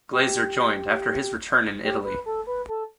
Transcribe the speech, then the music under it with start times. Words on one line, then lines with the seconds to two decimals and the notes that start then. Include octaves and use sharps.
Glaser joined after his return in Italy.
0.12 G4
1.83 G4
2.04 B4
2.26 A4
2.47 B4
2.69 A4